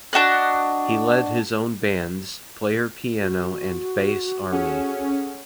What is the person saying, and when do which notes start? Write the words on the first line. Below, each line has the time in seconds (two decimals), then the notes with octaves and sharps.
He led his own bands, Player Piano and Bass Army.
0.13 D4 F#4 D#5 F#6
3.21 F#4
4.53 C#4 G#4 A4 F#5